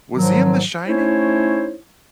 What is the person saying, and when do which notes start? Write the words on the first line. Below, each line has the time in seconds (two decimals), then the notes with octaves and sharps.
Was he in The Shining?
0.15 G#2 D#3 F3 F#3
0.86 A3 C#4 D#4 E4 C5 C#5